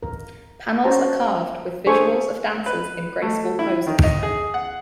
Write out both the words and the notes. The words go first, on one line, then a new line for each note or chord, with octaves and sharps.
Panels are carved with visuals of dancers in graceful poses.
A#4
C#4 F#4 C5 A5 A#5
D4 G#4 A4 C5 G#5 C#6
B4
A3
E4
D#3
D#5
G#4
F#5